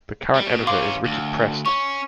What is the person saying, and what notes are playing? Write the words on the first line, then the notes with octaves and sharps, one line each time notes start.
The current editor is Richard Prest.
G3
B2
E3 C#4 F5 C6 D6
D2
C#4 C#6